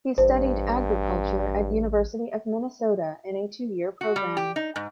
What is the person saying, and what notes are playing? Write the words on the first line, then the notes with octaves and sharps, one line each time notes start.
He studied agriculture at University of Minnesota in a two-year program.
A1 G2 C5
F#4
G3
G4
D#4
G#2